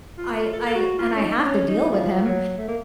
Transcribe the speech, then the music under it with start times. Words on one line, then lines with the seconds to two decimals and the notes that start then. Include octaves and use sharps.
I I and I have to deal with him,
0.18 F4
0.53 A4
0.59 A#4
0.66 A4
0.75 F#4
0.99 F4
1.16 C#4
1.21 D#4
1.39 D#4
1.44 C#4
1.68 D#4
1.91 F3
2.24 F#3
2.58 A3
2.68 A#3